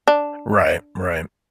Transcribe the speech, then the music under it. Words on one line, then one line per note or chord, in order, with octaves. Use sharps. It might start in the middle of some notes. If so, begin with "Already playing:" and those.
Right. Right.
D4